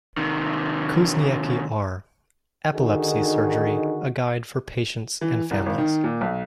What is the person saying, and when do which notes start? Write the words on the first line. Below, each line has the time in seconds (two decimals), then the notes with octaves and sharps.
Kuzniecky R. "Epilepsy Surgery: A guide for Patients and Families".
0.17 C3 D#3
2.72 D3 D#3 D#4 F#4 G#4
5.21 E3
5.51 C2
5.66 G#1
5.78 D#3
6.04 A#2
6.21 B1